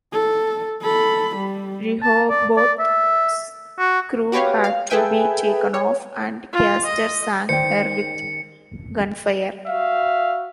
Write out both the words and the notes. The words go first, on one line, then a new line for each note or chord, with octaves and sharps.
"Rehoboth"s crew had to be taken off, and "Castor" sank her with gunfire.
A4
A4 B5
G3
A5
D5
D5
E5
F#4
F#4 G4 B4 C#5 F5
F5
G#4 A4 B4 E5 G5 G#5
C#5
F4
D#5
D#3 C#4 C5 D5 G5 C#7
F#4 E5 F5